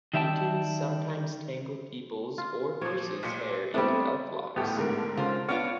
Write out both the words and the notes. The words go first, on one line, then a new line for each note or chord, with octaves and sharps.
Lutins sometimes tangle people's or horses' hair into elf-locks.
D#3 G3 E5 G5 A5
F4
A#2 F3 C#5
B1 A#2 C#7
G3 A3 B3 C4 D4 E4
D2 A2 G3 A3 B3 G4
G#2 D3 A#4
C#3 F4 C5
B3 D4 F4 C#5 F6